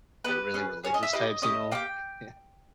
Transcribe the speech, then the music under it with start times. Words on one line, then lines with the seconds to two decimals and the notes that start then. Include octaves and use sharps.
like, really religious types, you know? Yeah.
0.24 B3 G4 B4
0.54 C#4 G#4
0.83 C#4 G#4 C#5
0.94 D#5
1.03 E5
1.12 A#3 E4 G4 D#5
1.42 C#4 E4 G4 D#5
1.72 A#3 D#4 G4 G5